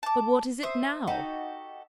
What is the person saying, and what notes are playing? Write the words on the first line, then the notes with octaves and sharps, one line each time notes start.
But what is it now?'
A5 D6
C5 E5 D#6
D#4 F#4 G4 A4